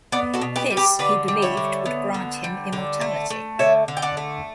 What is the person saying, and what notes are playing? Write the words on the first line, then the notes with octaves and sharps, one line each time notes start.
This, he believed would grant him immortality.
B3 D5 F#5
F#4 A4
B2
G4 B4
G3
G4 B4
D3 B4 D5
G3
C#5 E5
D3
B3
D3
G3
D3
A3
A3
D3 C#5 E5
D3
G5
D5 F#5
A3